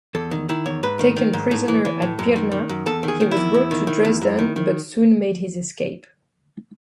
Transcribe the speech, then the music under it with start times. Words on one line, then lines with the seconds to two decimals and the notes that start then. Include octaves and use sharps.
Taken prisoner at Pirna, he was brought to Dresden, but soon made his escape.
0.15 E2 A4
0.31 D#3
0.49 D#3 E4
0.66 E2 C#5
0.83 G#2 B4
0.99 D#3
1.16 D#3
1.33 G#2
1.51 A2
1.68 E3
1.85 E3
2.02 A2
2.19 F#2
2.36 D#3
2.52 D#3
2.69 F#2
2.86 E2 A4
3.03 D#3
3.08 G#4
3.21 D#3
3.31 E4
3.37 E2
3.54 E2
3.71 D#3
3.87 D#3
4.05 E2
4.22 F#2
4.39 D#3
4.56 D#3